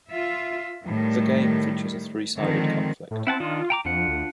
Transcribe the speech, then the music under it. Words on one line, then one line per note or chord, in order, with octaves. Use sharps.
The game features a three-sided conflict.
F4 E5
A2 D#3 G3
D3 D#3 F3 G#3 C4
A2
C4 E4 F#5 A5
D#3 D4 F4 D#5
G5 A#5 D6
F2 D4 F4 F#5
D2